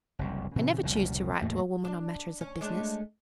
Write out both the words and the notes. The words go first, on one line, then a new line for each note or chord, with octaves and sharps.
I never choose to write to a woman on matters of business.
F#1 C2 F2
A#2 C#3 E3 C4
F1 C#2 A#2 G3
E2 A2 A3 A#3
D4
C#4
G#3 A3 D4